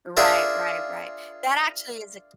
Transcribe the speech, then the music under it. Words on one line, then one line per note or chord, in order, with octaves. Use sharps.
Right, right, right. That actually is a
D4 F4 G#4 A#4 D5 E5